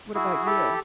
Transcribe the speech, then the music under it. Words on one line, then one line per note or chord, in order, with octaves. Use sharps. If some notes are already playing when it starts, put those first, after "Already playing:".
What about you?
E4 F#4 G#4
E4 G4 A4